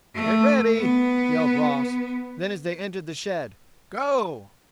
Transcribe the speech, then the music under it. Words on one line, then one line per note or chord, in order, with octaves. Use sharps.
"Get ready," yelled Ross; then, as they entered the shed, "Go!"
A3
B3